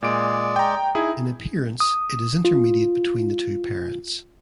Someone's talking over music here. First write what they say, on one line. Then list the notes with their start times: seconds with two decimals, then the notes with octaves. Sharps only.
In appearance it is intermediate between the two parents.
0.02 A#2 G#3 D5 D7
0.56 G5 A#5
0.95 D#4 E4 G#4
1.80 D#6
2.45 F4